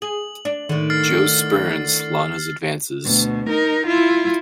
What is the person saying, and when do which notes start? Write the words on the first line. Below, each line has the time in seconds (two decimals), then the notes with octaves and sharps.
Joe spurns Lana's advances.
0.02 G#4 F#7
0.45 D4
0.69 A2 D3 D#3
0.90 F6 A6 C7
3.05 D2 B2
3.49 D#4 A#4
3.87 E4 F4